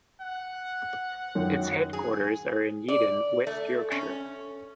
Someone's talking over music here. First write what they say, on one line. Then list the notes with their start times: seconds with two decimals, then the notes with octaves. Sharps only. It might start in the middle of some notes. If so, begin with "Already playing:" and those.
Its headquarters are in Yeadon, West Yorkshire.
0.21 F#5
1.35 F#2 D#3 F#3
1.93 G#4
2.88 D5
3.47 A3
3.92 C#4